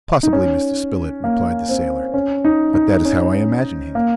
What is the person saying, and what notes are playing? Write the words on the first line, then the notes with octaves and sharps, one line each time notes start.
"Possibly, Mr. Spilett," replied the sailor, "but that is how I imagine him!"
D#4
C#4
A#3
C4
C#4
D#4
D#4
C#4
A#3